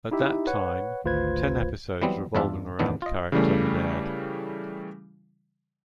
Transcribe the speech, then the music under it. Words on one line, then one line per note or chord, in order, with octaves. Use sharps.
At that time, ten episodes revolving around the character had aired.
D#4 E4 G4 E5
B4 C#5 F#5
G#1 D2 F4 B4 C5 G#6
E3 F#3 G3 B3 C4
E2 G2 D4 F4 E5
E2 A2 D#3 B3 D4
F4 D#5
C#3 E3 G3 A3